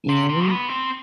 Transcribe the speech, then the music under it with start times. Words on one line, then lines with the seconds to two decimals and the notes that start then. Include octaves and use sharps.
and we
0.09 C3
0.29 C3
0.49 B3
0.69 C4